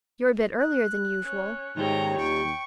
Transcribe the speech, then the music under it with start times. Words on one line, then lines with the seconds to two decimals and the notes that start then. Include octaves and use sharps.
"You're a bit earlier than usual."
0.59 F#6
1.24 C#4
1.77 G#2 D#3 G3 G4 C#5 A#5
2.18 D#2 G5 C#6